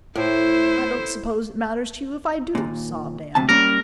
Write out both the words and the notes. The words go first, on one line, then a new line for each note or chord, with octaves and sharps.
"I don't suppose it matters to you if I do," sobbed Anne.
A2 E4 C5
D#2 A#2
D2 C3 A5
G3 A#3 C#4 A#4